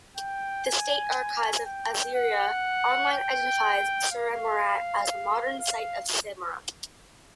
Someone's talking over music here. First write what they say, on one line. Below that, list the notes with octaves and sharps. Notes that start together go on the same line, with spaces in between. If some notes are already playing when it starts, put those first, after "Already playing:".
The State Archives of Assyria Online identifies "Surimarrat" as the modern site of Samarra.
G5
G#5
G5
F#5
G5
F5
F5